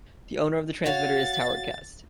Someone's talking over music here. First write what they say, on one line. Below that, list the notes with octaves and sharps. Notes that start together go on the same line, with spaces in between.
The owner of the transmitter is Towercast.
F#4 C#5 F5 A6